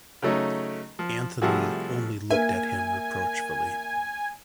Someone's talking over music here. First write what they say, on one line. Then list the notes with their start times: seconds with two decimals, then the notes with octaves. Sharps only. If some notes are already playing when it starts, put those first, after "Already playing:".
Anthony only looked at him reproachfully.
0.22 C#3 F#3 A3 C#4 D#4
0.99 F3
1.42 C3 F3 G3 A3 F#4 G#4
2.31 A#3 A#4 E5 G#5